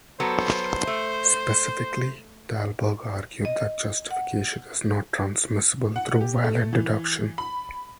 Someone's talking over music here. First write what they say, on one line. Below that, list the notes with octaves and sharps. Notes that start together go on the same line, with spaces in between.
Specifically, Thalberg argued that justification is not transmissible through valid deduction.
F#3 B3 A4 C5
A3
D#5
F#5
F#5
G4
A3
E3
B5